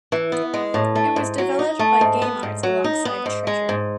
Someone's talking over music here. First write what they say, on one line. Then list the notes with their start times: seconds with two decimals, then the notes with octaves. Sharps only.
It was developed by Game Arts alongside Treasure.
0.12 E3
0.32 B3
0.54 G#3
0.74 A2
0.95 A3
1.16 G#2
1.38 F#3
1.59 D#4
1.79 A3
2.01 G#2
2.22 B3
2.43 G#2
2.63 F#3
2.84 D#4
3.05 B3
3.26 G#2
3.47 G#3
3.69 G#2